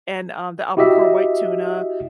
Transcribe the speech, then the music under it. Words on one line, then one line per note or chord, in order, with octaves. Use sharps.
and, um, the Albacore white tuna,
E4 F#4 G4 D#5 E5